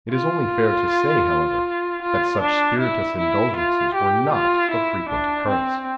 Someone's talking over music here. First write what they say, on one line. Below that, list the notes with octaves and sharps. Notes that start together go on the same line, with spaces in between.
It is only fair to say, however, that such spirituous indulgences were not of frequent occurrence.
F4
F4
D4
E4
E4
F4
G4
F4
E4
D4
C4